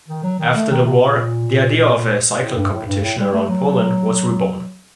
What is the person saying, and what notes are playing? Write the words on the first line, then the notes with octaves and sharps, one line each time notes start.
After the war, the idea of a cycling competition around Poland was reborn.
D#3
F#3
D#3
A3
D#3
C3
A#2
A2
G2
A2
G2
A2
G3
A3
F#3